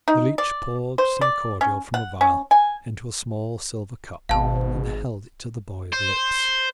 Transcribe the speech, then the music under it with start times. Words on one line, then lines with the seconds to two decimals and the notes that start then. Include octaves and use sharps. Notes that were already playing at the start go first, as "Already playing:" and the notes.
The leech poured some cordial from a vial into a small silver cup and held it to the boy's lips.
0.08 D#4
0.38 D5
0.98 C5
1.21 D5
1.61 C#4
1.94 F#5
2.21 C#4
2.51 G#5
4.29 G#1 B2 F5 A5
5.92 C5